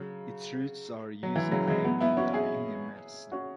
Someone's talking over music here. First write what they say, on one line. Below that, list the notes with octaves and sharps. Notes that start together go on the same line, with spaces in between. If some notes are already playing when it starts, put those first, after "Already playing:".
Its roots are used in ayurveda Indian medicine.
Already playing: C#3 F#3
F#3
E3
C#3 F#3
E3 G#3
F#3 B3
B3 E4
C#4 F#4
E4 G#4
C#4 F#4